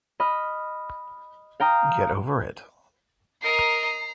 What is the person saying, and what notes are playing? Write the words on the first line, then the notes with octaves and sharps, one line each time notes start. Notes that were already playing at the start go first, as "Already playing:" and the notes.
Get over it.
D#5 B5 F6
F5 G5 A#5 D#6
A#4 D#5 A#5 C7